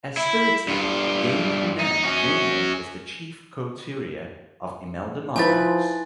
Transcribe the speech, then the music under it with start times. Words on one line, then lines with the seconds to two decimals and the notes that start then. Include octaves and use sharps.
Espiritu gained renown mainly as the chief couturier of Imelda Marcos.
0.17 E4
0.68 G2 F4
1.80 D#4
2.04 C#4 F#4
5.36 F3 D#4 E4 B4 G#5 A6